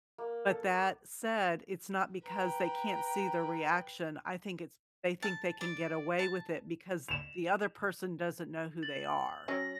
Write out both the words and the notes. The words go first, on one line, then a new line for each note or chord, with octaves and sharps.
but that said, it's not because they can't see their reaction. I think it's they think they can get away with it because the other person doesn't know who they are.
A#3
A4
D6
B4 G5 A#5
A5
D5
A5
E7 F7
A6 F#7
F#3 C#4 G5 A#6